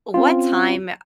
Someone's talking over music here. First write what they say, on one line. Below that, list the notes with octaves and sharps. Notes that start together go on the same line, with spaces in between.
what time
C4 C#4 F4